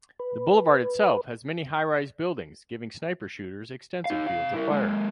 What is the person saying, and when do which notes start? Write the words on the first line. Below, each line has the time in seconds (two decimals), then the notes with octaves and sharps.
The boulevard itself has many high-rise buildings giving sniper shooters extensive fields of fire.
0.20 B4
4.05 D#4 F5
4.27 C3 F5
4.54 E4 A#4
4.71 G#3 A#3